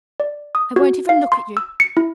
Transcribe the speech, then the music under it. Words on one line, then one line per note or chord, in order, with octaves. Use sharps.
I won't even look at you.
D5
D#6
F#4
F5
C6
E6
C#7
E4